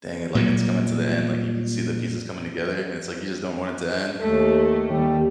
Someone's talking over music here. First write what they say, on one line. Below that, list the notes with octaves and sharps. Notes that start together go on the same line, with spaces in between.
dang it, like, it's coming to the end, like, you can see the pieces coming together, and it's, like, you just don't want it to end.
A#2 F#3 G3
D#2 A3 A4
D#2 G3 G4